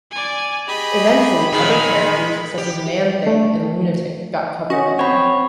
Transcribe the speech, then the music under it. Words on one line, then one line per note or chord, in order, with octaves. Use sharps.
Eventually other characters, such as Man-Thing and Lunatik, got cover billing.
D5 G#5
G4 G#4 D#5 B5
A#2 D#3 G#3 D#4 G#4
G4
A3
C#4 F#4 D#5
C4 C#5 F#5 B5